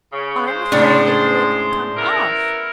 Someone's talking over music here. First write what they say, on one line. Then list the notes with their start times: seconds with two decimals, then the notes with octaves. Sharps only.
I'm afraid it would come off!'
0.13 C#3
0.47 G#3 C5
0.72 A2 C#3 D4
1.97 B3 E4 A#4